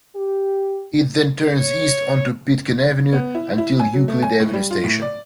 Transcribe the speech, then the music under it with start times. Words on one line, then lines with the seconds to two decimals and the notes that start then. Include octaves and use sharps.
It then turns east onto Pitkin Avenue until Euclid Avenue station.
0.16 G4
1.60 C#5
3.13 B3
3.35 E4
3.58 E4
3.79 G#5
3.93 F#3
4.08 A3
4.22 G#5
4.40 A2
4.53 G3
4.71 F4
4.84 A2
5.02 D5